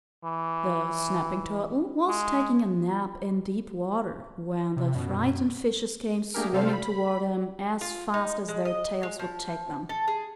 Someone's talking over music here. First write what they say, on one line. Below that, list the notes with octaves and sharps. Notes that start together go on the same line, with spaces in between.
The Snapping Turtle was taking a nap in deep water, when the frightened fishes came swimming toward him as fast as their tails would take them.
E3
G#3
C3
F#2 B2
A3 A#3 D4 G4 G#4 A#4
C3 G3 A4 C5 F5
B5
F4
D#4
G#3
D#5
G#3
F3
A4
G#4